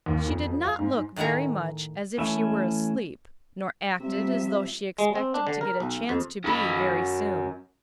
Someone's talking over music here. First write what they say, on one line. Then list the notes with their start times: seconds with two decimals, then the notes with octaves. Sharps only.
She did not look very much as if she were asleep, nor acted as though she expected to get a chance to be very soon.
0.06 D#2
0.27 F2
0.48 F3
0.64 F5
0.79 G#2
1.16 A2 D#3 F#5 G#5 A#5
2.18 E3 A3 C#4 E5
4.00 C3 F3 G3 E5
4.99 G#3
5.15 C4
5.34 D4
5.47 D3
5.61 A#4
5.80 B1
6.09 F2
6.44 F#2 B5